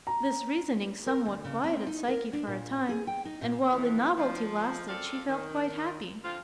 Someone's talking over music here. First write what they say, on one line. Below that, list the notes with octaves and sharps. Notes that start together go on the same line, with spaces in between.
This reasoning somewhat quieted Psyche for a time, and while the novelty lasted she felt quite happy.
A#5
A#4
D2
C#3
C4
D#4
A#4
D4
A#2
G#4
G5
D#4
A#2
F2 E3
F3
F#2 C4 F4 A4 D5 F5
D#3
D3 F3 C4 F4